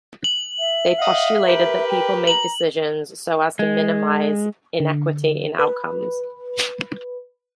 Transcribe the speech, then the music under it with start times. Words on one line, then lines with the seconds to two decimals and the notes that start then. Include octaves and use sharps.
They postulated that people make decisions so as to minimize inequity in outcomes.
0.24 F#7
0.59 E5
0.99 D#5 F5 F#5
1.45 G4 A#4 B4
1.89 G5
2.27 A#5 F#7
3.59 G#3
4.80 D3
5.59 B4